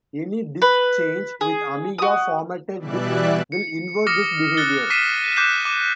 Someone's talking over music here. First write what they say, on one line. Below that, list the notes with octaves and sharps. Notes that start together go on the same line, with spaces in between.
Any disk change with Amiga formatted disks will invert this behaviour.
B4
G#4
F#4 D#6
B2 E3 G3 D5 E5 F#6
C#7
D6 D#6 F6 A#6 C#7
F#6 A6 G7
D6 B6 C7 D#7 E7
D6 F#6 G6 C7 E7
D6 E7